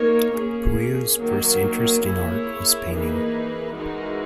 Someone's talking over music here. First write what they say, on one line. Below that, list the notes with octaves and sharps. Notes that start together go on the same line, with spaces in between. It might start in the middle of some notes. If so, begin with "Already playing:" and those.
Puiu's first interest in art was painting.
Already playing: A#3 D#4 A#4 C#5
A#3 C#4 G#4
D#3 F#3 A#3
A#3 E4 G#4 C#5
E3 A#3 D#4 G#4 B4
E3 G#3 D#4 F#4 A#4